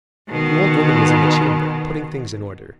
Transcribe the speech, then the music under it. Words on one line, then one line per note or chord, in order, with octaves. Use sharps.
The old woman was in the chamber, putting things in order.
B2 D#3